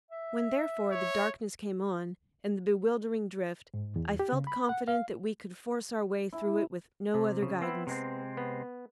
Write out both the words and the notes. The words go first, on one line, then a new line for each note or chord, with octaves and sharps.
When, therefore, the darkness came on, and the bewildering drift, I felt confident that we could force our way through it with no other guidance.
E5
C#5
G#2
E2
G4
C#3
B5
F#5
F5
E4
C3
C#3
B3 C4 E4
C3 G#3 C4
B3